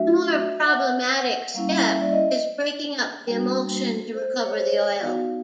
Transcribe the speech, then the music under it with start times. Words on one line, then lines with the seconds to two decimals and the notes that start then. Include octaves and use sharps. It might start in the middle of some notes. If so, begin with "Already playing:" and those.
The more problematic step is breaking up the emulsion to recover the oil.
Already playing: F#3 A3 D4 F#4 E5
0.67 F#5
1.54 G3 A#3 C#4 E4 F5
1.83 E5
2.01 D5
2.12 D#5
3.28 G3 A#3 D4 F#4
4.14 C5
4.43 C#5
4.55 C5
4.64 C#5
4.72 D5
5.01 B3 D#4 F#4 F5